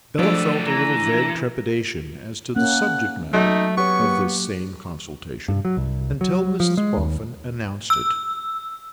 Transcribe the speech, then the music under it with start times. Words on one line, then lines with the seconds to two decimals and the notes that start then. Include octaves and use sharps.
Bella felt a little vague trepidation as to the subject-matter of this same consultation, until Mrs Boffin announced it.
0.19 F3 F#3 A3 D4 D5 E5
0.66 E3 A#5
2.56 A#3 C#4 F#5
3.34 F#3 A3 D#4
3.77 B3 G4 C#5 C#6
4.00 A#3 G4
5.48 G2
5.65 F#3
5.77 C2
6.21 F#3
6.60 F3
6.77 G#3
6.97 D#2
7.90 E6